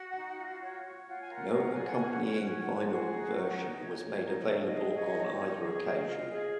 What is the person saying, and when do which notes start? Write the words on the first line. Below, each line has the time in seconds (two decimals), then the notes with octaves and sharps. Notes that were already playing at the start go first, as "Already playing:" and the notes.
No accompanying vinyl version was made available on either occasion.
Already playing: F#4 F#5
0.16 D#4
0.38 F4
0.62 C#5
0.84 C#5
1.07 F4 F#5
1.21 G#5
1.30 A#4 F#5
1.46 G#5
1.53 F4
1.58 F#5
1.71 G#5
1.76 G#4
1.84 F#5
1.97 C#4 G#5
2.09 F#5
2.21 C#4 G#5
2.35 F#5
2.43 C#4 G#5
2.60 F#5
2.67 C5
2.73 G#5
2.86 F#4 G#4 F#5
3.12 D#4
3.35 D#4
3.57 D#4
3.80 C#5
4.03 C#5
4.25 D#4
4.48 G#4 D#5
4.57 F5
4.67 G#4 D#5
4.94 C#5
5.16 D#4
5.39 C#5
5.62 G#4
5.84 F4 D#5
6.08 F4
6.30 G#4